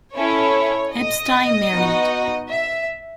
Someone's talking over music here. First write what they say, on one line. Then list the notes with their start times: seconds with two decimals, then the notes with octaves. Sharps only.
Epstein married.
0.13 C#4 E4 A4 C#5
0.92 D#5
1.71 B3 D#4 F#4
2.49 E5